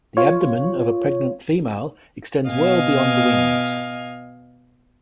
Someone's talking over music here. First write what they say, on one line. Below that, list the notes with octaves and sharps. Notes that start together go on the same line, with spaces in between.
The abdomen of a pregnant female extends well beyond the wings.
F4 C#5
B2 D#5 F5 G#5 F6